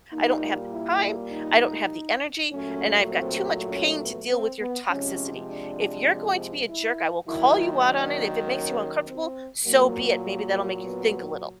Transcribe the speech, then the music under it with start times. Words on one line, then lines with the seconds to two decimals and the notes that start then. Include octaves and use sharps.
I don't have the time, I don't have the energy, and I've got too much pain to deal with your toxicity. If you're going to be a jerk, I will call you out on it, if it makes you uncomfortable, so be it, maybe that'll make you think a little,
0.12 A#2 G3 A#3 D#4
0.72 E4
1.31 D#4
2.51 A#2 F#3 A3 C#4
3.09 C4
3.70 C#4
4.00 B3
4.29 C4
4.59 B3
4.89 C3 F3 G#3 C#4
5.48 D4
6.67 E4
7.26 D#3 F#3 A#3 E4
7.87 D4
8.46 C#4
9.06 C4
9.65 A#2 F#3 A#3
10.24 A#3
10.84 B3